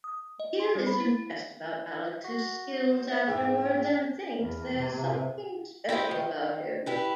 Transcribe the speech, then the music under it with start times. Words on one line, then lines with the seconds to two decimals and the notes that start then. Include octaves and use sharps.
Gill is impressed about Alex's skills afterwards and thinks there's something special about him.
0.04 D#6
0.40 D#5
0.60 C6
0.75 G3
0.87 B5
1.00 E4
2.24 F#4
2.91 C5
3.10 E5
3.27 E2 G#2 E5 G5
4.40 E2
4.76 C3
5.89 E4 G4 C5 D#5
6.11 D#3
6.86 E4 G4 B4